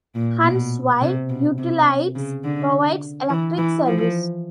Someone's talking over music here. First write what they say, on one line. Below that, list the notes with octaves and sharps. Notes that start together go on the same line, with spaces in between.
Huntsville Utilities provides electric service.
A#2
B2
C3
B2
C3
C#3
D3
E3
E3
F3